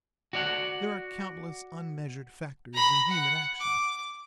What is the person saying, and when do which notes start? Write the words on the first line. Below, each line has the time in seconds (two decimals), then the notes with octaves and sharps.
There are countless unmeasured factors in human action.
0.33 F#4 D5 F#5
2.73 A#5 B5
3.08 F#5
3.59 D6